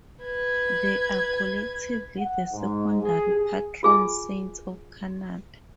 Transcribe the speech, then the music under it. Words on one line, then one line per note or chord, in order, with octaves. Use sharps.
They are collectively the secondary patron saints of Canada.
B4 G#6
F#5
G#2
G#4
G#4
F4 G#4 G#5